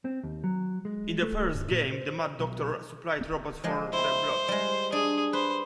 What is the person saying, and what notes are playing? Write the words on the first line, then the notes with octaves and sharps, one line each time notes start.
In the first game, the Mad Doctor supplied robots for the Blot.
C4
D#2
F#3
G#3
A3
F#2
A#2
C5
B1
F3 G#3 G4
E4 C5
G3 G#3
D4 G#4
B4 C5